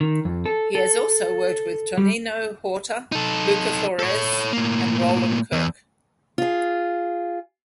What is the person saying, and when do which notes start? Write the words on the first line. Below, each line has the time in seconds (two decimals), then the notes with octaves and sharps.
He has also worked with Toninho Horta, Luca Flores and Roland Kirk.
0.01 D#3
0.25 F2
0.46 A4
0.75 A4
1.98 G3
3.12 D#4 A4
3.99 A4 C#5
4.53 A2 A#3
5.53 E2
6.38 F4 G#4